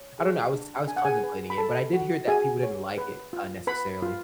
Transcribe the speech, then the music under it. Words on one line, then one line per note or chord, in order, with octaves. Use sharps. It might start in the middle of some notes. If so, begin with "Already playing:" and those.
I don't know. I was I was contemplating it, but I did hear that people didn't like it, uh, necessarily.
Already playing: C#5
G#4
D4
D4 G#5
F#5
G#4 G#5
B4
B5
A4 A5
F#4
F#4 G#4 G#5
C#5
B4
F4
B4 B5
F4